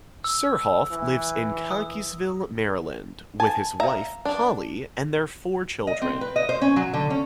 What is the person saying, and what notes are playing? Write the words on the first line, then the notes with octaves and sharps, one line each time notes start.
Surhoff lives in Cockeysville, Maryland with his wife Polly and their four children.
E6
E3
D#6
G#5 A5
E5 F5 A#5
D4
D#5
C4
B4
D#5
C5
C#4
F#3
D3
C#4